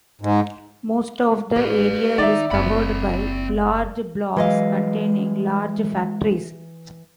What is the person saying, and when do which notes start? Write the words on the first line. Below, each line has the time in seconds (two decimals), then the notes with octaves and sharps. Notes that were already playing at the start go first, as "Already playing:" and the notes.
Most of the area is covered by large blocks containing large factories.
0.21 G#2
1.56 A1 G4 B4
2.18 D#3 D#4 D5 E5
2.51 F#1 C4 B5
4.36 E3 F#3 G#3 D#5 F5